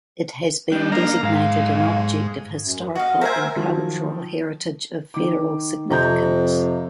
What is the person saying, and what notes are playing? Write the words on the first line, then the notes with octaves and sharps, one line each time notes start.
It has been designated an object of historical and cultural heritage of federal significance.
G3 D4 D#4
A#3 F5 A#5
B1 G#2 F5
F#2
F#4 D#5 F5
A#4 C5 E5 G#5 A#5
D#3 F3 F#3
D#3 D6
F2 C3 A#5 G6